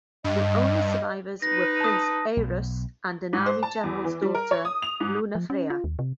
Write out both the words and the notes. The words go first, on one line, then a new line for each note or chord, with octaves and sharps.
The only survivors were Prince Arus and an army General's daughter, Lunafrea.
G2 D#5
D#4 B4 A#6
A5 D#6
B1
G#2
C5
A5
E2
E3
G3
A#4
C#5
D#6
F7
G#2
F3
C#4
F4
D#2
C3